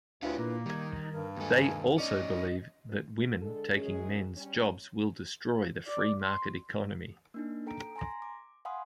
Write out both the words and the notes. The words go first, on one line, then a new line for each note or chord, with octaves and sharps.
They also believe that women taking men's jobs will destroy the free market economy.
D2 D4 E4 F4 B4 C#5 F5
A#2 A#3
D#3 G3 D#4 G#6
G2 A#4
D#2 G#3 A4
C#4 D#4 D5 D#5
D3 G#3 A4
F#2 G#3 C#4 G#4
G3 C#4
D5
C6
A#3 D4 D#4
A4 G5 A#5 D7
G#5 A#5 C6 A#6
D6
F5 F#5 G#5 B5 C6 D#6